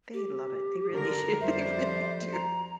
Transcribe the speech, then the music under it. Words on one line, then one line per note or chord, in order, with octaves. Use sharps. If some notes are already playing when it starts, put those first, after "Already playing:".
They love it, they really do they really do,
G4
D3 A#4
F2 G3 C5 E5
A#5